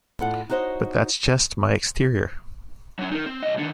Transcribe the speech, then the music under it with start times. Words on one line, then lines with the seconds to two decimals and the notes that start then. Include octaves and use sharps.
But that's just my exterior.
0.20 A2 F4 A4 D5 F#5
0.50 D#4 F#4 C5 C#5 D#5
2.99 F#3 C#4
3.12 D#4 A#4
3.26 C4
3.43 C2 D#5
3.58 D3 D#3